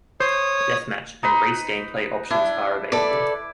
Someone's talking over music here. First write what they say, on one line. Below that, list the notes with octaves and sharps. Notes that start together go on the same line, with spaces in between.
Deathmatch and race gameplay options are available.
C5 C#5 D#6
D#4 B4
D4 E4
A4 B4 D5 D6